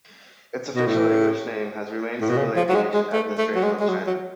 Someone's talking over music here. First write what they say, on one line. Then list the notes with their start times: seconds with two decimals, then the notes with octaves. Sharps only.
Its official English name has remained Civil Aviation Administration of China.
0.75 B2
0.87 A2
2.21 A2
2.29 B2
2.37 C#3
2.56 F3
2.69 F#3
2.75 G#3
2.94 G#3
3.13 A3
3.38 A3
3.55 F#3
3.63 G#3
3.80 G#3
3.88 F#3
4.07 F#3